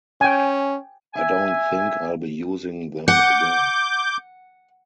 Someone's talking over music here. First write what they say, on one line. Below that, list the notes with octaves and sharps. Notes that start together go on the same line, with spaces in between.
I don't think I'll be using them again.
C#4 G5 G#5
E5 G#5
F#5 D6 G6